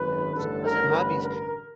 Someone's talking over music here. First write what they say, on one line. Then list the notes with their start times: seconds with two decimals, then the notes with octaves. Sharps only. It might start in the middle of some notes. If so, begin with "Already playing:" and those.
Yeah, so 'cause in hobbies,
Already playing: G#1 F#2 D#3 B4
0.34 A1 G2 D3 A4
0.63 A#4
0.92 B4
1.21 A#4